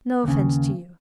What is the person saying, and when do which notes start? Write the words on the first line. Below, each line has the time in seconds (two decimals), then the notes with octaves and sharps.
No offence to you.
0.24 D#2 C#3